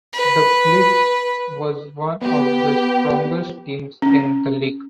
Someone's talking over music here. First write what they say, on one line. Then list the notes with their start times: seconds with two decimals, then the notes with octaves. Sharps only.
The Blitz was one of the strongest teams in the league.
0.13 B4
2.21 B3 G4
4.02 C#4